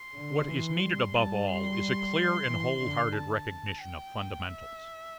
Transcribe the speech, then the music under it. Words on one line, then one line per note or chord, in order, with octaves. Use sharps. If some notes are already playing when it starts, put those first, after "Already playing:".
What is needed above all is a clear and wholehearted recognition of fundamentals.
Already playing: C6
D3
E3
G3
G3 A5
C6
E3
D3
A5
G5
E5